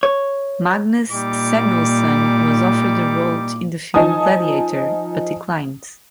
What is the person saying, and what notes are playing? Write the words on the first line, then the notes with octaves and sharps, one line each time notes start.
Magnus Samuelsson was offered a role in the film "Gladiator", but declined.
C#5
A#2 G3 D#4 D6
F3 D#4 G#5 A5 D#6